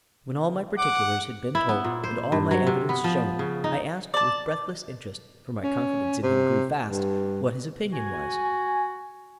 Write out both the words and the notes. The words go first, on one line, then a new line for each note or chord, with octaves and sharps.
When all my particulars had been told, and all my evidence shown, I asked with breathless interest--for my confidence in him grew fast--what his opinion was.
F#5 D6
E4
B3
A#2
C5
G2
F#3
C3
B3
F3
C#3
D#4
D5 A5
C#4
C3
G2
F#4 G#5